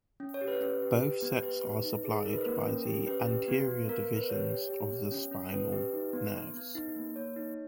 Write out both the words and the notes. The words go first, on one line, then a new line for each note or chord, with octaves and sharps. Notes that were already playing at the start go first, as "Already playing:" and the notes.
Both sets are supplied by the anterior divisions of the spinal nerves.
C#4
C#5
G4
B4
C#4 B4
G4
G4
B3
G4 B4
B3
D#4
G#4
D#4 A#4
B4
A#3 A#4
C#4
G4
C#4 B4
G4
B3
B3
B3 A#4
A#4
B3
B4
G4 C#5
G4
G4
B3
C#4
C#4
C#4 B4
G4
D#4
B3
B3
B3
D#4
A#3
A#3 C#5
D#4